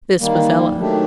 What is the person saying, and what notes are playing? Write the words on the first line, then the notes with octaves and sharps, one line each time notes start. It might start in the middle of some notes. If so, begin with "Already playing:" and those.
This was Ella.
D#3 G3 A#3
D#3 F#3 A3 D4 G4